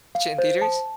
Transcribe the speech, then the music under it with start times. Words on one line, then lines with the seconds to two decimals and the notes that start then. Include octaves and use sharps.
tch it in theaters?
0.15 F5
0.38 C5
0.62 A5